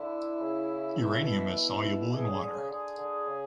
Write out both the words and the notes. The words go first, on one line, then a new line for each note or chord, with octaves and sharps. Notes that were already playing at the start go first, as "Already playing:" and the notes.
Uranium is soluble in water.
Already playing: D3 E4
C#3
B2
C#3
B2
B2
B2 G#4
C#3
D3
C#3
D3 G#4
D3
C#3